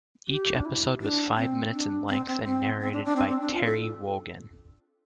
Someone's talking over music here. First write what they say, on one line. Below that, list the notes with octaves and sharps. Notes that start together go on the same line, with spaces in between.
Each episode was five minutes in length and narrated by Terry Wogan.
G4
D4
E4
D4
C4
D4
C4
C4
C4
C4
D4
D4
C4
C4
D4
F4
A4